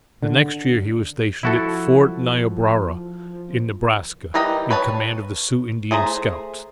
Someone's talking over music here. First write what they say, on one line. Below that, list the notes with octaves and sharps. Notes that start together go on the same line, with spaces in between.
The next year he was stationed at Fort Niobrara, in Nebraska, in command of the Sioux Indian Scouts.
D3
F3 E4 F#4 A4
E3 G3 A#4 D#5 G5
B4 C#5 A5
A3 G#4 C5 A#5